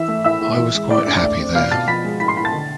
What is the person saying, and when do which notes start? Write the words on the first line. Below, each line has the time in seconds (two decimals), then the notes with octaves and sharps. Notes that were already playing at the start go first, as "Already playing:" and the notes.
I was quite happy there.
Already playing: E3 E5 E6
0.08 A3
0.24 A2 E5 E6
0.41 A2
0.58 E3
0.74 G#3
0.90 A2 D5 D6
1.07 D4
1.23 A3
1.38 C4
1.55 B2 F5 F6
1.71 B2 A5 A6
1.87 F3 B5 B6
2.04 G#3
2.20 A2 B5 B6
2.28 C6 C7
2.36 A2 B5 B6
2.45 A5 A6
2.53 D3